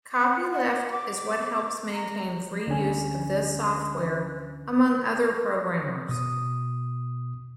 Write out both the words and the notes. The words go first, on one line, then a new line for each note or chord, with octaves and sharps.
Copyleft is what helps maintain free use of this software among other programmers.
F#5
F#5
D6
A#5
D2 D3 C#4 D4 G#5
B2 D#6